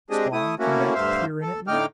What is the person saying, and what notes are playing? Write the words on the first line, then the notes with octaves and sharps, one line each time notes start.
Spawn, come back to peer in at me?
G#3 C4 D4 G4 G#4 D#5
A3 E4 D#6
A3 A#3 C#4 E4 F#4
D2 G2 C5 E5 F5
A4
A2 D3 D#4 G5 D6 F6